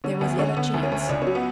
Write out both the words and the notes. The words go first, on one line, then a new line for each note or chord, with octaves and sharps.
There was yet a chance.
D3 C#4
D2 B3
D3 C#4
D3 B3
D2
C#4
D2
C#2 D4
F#3 C#4
B3